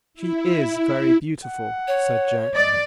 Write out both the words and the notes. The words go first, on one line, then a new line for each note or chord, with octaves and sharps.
"She is very beautiful," said Jack.
E4
F#5
C#5
D5 D#5